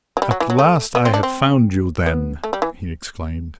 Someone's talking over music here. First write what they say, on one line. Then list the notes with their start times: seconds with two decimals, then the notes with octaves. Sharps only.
"At last I have found you, then!" he exclaimed.
0.17 F#3
0.22 G3
0.31 F#3
0.40 E3
0.50 F#3
0.59 A3
0.95 B3
1.05 C4
1.14 D4
1.23 C4
2.06 B3
2.44 A3
2.53 G3
2.62 E3